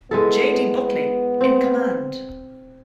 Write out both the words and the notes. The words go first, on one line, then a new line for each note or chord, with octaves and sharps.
J. D. Buckeley in command.
G#3 B3 E4 A4
C4